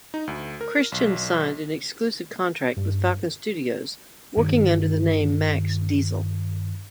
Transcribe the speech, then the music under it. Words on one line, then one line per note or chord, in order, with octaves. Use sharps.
Christian signed an exclusive contract with Falcon Studios working under the name Maxx Diesel.
D#4
D2
A#4
B1
G2
G2 D#3